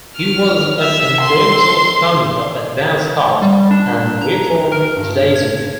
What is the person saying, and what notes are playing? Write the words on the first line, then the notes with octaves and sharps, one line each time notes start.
He was an influential exponent of advanced thought and Reform Judaism.
F6
E5
C6
G3
D4
A#5
A#4
G2
G#6